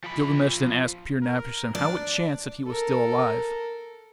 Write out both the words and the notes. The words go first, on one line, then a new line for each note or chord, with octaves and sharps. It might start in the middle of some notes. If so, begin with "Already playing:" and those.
Gilgamesh then asked Pir-napishtim how it chanced that he was still alive.
F3 B5
A#4
D4 D5
A4 A#4